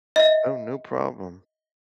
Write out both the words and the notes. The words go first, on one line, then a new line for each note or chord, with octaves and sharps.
Oh, no problem.
D#5 E5